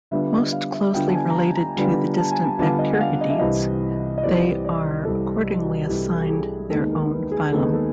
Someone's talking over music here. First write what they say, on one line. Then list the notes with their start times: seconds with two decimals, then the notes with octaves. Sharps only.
Most closely related to the distant Bacteroidetes, they are accordingly assigned their own phylum.
0.11 D3 G3 B3 D4 F4 E5
0.33 D#5
0.52 F5
0.74 E5
0.94 D3 G3 B3 D4 F4 G5
1.09 A5
1.15 G#5
1.30 A#5
1.36 A5
1.56 A#5
1.76 D3 G3 B3 D4 F4
2.18 A5
2.31 G#5
2.44 A5
2.59 D3 G3 B3 D4 F4 A5
2.79 D#5
2.93 F#5
3.00 F5
3.21 D#5
3.30 E5
3.39 C2 C3 E3 D#5
4.18 D#5
4.23 C2 C3 E3 D5
4.65 D5
5.05 C2 C3 E3 A4
5.61 F#4
5.87 C2 C3 E3 G4
6.23 G4
6.29 G#4
6.70 D#2 D#3 G#3 B3 D#4 A4
6.91 A#4
7.11 B4
7.32 G#4
7.52 D#2 D#3 G#3 B3 D#4 A4
7.74 A4